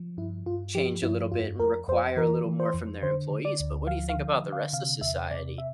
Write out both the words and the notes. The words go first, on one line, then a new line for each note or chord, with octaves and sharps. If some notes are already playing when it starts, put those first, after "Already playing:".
change a little bit, and require a little more from their employees, but what do you think about the rest of society?
Already playing: F3
G2 E4
G2 F4
F3 G4
G2 E4
F2 F4
F2 A#4
F2 C5
E3 A#4
E3
C5
F2
D3 C5
D3
D5
D2
F3 F5
F5
D3
D3
F5
C3 F5
E2 E5
C3 D5
E5